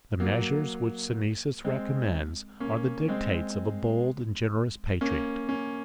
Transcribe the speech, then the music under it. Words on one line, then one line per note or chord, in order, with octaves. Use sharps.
The measures which Synesius recommends, are the dictates of a bold and generous patriot.
F#3 A#3
G#3 C4
A#3 C#4
G#3 C4
A#3 C#4
A#3 C#4